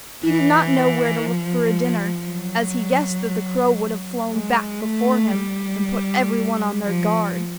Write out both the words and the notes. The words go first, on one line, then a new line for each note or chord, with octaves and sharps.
He did not know where to look for a dinner, as he guessed that the crow would have flown back before him, and put every one on their guard.
E3
F3
F#3
G#3
A3
G3
F3